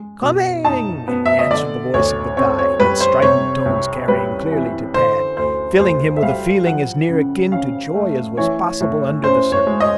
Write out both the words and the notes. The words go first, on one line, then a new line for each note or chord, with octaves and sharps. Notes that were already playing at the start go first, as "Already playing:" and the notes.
"Coming!" answered the voice of the guide, its strident tones carrying clearly to Tad, filling him with a feeling as near akin to joy as was possible under the circumstances.
Already playing: G#3
B2
D#4 A5
B3
E5
D#5
D3 D5
D2 C#5
C4 C#5
C#5
G3 B4
C5
C3 C#5
C2
G3 B4
E3
D3 C5
D2 C5
D2 C5
E5
G3 F5
F3 F#5
C#3
C#4 F5
A3
E3 C#5
A2
C#4 C5
C#5
G#3
D#5